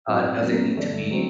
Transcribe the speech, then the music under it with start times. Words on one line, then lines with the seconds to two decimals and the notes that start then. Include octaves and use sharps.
uh, doesn't need to be
0.07 A2 F#3 C4 F#4
0.41 F#2 F#3 B3
0.75 G2 D3 A3 D4
1.11 F#3 C4